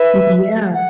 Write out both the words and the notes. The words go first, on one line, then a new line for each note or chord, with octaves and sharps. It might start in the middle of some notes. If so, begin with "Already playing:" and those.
M yeah.
Already playing: B4 E5
F#5